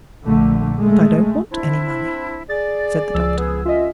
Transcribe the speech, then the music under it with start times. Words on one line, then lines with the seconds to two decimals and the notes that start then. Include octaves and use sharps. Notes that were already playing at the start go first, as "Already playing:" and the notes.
"But I don't want any money," said the Doctor.
0.22 A#1 D3 A3
0.78 G#3 A3
1.51 C4 D4 E4
2.50 G#4 D5 A6
3.14 C#2 F3 E6
3.38 B3 G#4
3.65 C2 C#4 F4 D#5 E5